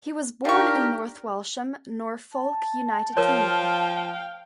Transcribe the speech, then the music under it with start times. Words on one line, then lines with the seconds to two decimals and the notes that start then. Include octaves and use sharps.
He was born in North Walsham, Norfolk, United Kingdom.
0.45 D4 D#4 F4 G4 A#4 C#6
2.34 A5
3.17 F3 A#4 C#5 F5 G5